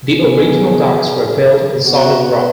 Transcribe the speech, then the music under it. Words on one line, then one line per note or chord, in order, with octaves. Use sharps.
The original docks were built on solid rock.
B2 G#4
B2 F#4